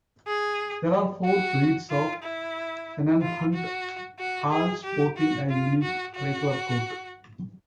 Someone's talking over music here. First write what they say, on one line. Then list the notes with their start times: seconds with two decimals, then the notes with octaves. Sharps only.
There are four breeds of Sennenhund, all sporting a unique tricolor coat.
0.27 G#4
1.25 F#4
1.90 F4
2.23 E4
3.21 F4
3.53 F#4
4.19 F#4
4.51 G#4
4.84 G4
5.17 F#4
5.50 F4
5.82 F#4
6.15 F#4